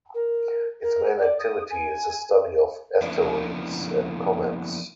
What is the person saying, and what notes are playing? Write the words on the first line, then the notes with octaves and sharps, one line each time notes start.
Its main activity is the study of asteroids and comets.
A#4
A#4
D5
D#6
G#5
F3 A#3 B3 C#4 D4 E4